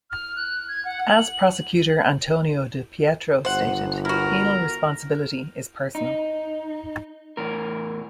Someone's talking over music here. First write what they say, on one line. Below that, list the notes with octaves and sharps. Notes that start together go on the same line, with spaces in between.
As prosecutor Antonio Di Pietro stated, Penal responsibility is personal.
F6
F#6
G#6
F#5
F#7
G1 C5 F#5
E4 F#4 A#4
D#4
E2 A2 A#4